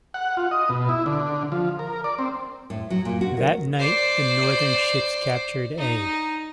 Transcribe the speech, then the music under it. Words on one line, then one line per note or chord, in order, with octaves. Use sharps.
That night the Northern ships captured A.
F#5
F4
D#5
B2
E4
D3
F3
A#4
D5
C4
A2
F#3
A#2
F#4
D#3
C5 D5
D#4